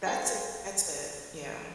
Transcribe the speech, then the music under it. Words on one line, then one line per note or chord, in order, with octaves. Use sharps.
that's it, that's it, yeah.
A4 C5 F5 G5 G#5